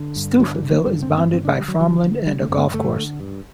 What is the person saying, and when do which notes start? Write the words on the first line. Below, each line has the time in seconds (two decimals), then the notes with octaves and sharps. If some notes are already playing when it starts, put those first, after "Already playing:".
Stouffville is bounded by farmland and a golf course.
Already playing: D3
0.16 G2
0.40 D3 F#3
0.55 E3
0.63 D3
0.71 F#3
0.86 G2 G3
1.03 C4
1.09 G2
1.17 C4
1.33 D3 C4
1.45 D4
1.56 D3 G3
1.68 F#3
1.80 D3 F#3
2.03 D3
2.26 D3 G3
2.42 A3
2.50 G2 C4
2.57 B3
2.74 D3 A3
2.96 D3
3.20 G2